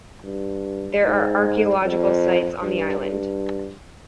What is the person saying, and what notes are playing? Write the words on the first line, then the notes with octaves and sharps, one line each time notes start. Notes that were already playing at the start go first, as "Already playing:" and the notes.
There are archaeological sites on the island.
G2
G#2
F2
G2
G2